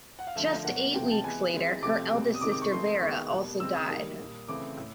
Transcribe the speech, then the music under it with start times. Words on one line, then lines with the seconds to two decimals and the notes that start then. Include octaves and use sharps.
Just eight weeks later, her eldest sister Vera also died.
0.19 F#5
0.27 F5
0.35 D3 F3 A3 E5
0.64 B2 F#3 A#3 F#5
0.94 C3 F3 A3 C4 G5
1.11 A5
1.24 E3 G#3 B3 G#5
1.54 E3 G#3 C4
1.82 C3 F3 A3 C4 D6
2.13 B2 G3 C4
2.34 D#6
2.41 C3 D#3 G#3 C4 D6
2.52 D6
2.62 C#6
2.71 E3 A3 C4 C6
3.00 D#3 G#3 B3 C#6
3.30 B2 G3 A#3
3.60 C#3 E3 G#3 C4 E6
3.75 D#6
3.89 D#3 G3 A#3
4.19 A#2 G3 A#3
4.48 C#3 E3 A3 C4 D6
4.78 A2